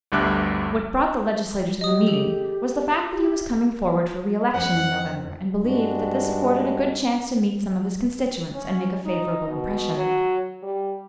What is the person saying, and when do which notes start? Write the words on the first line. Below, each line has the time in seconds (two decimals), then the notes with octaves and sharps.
What brought the legislator to the meeting was the fact that he was coming forward for re-election in November, and believed that this afforded a good chance to meet some of his constituents and make a favorable impression.
0.12 G1 D2 G2 E5 D6 F#6
1.81 G4 D#5 D#6
2.07 G#4 A4 F7
3.12 G4
4.54 F2 C#4 F#5
5.61 G2 G#3 D4 F#4
8.54 C#4
9.05 D#4
9.48 B2
9.97 F#3
10.63 G3